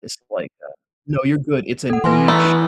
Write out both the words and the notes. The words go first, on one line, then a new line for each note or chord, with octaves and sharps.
It's like a no, you're good, it's a niche.
A4 F#5
E3 B4 G#5 C6
A3 B3 A#5
E4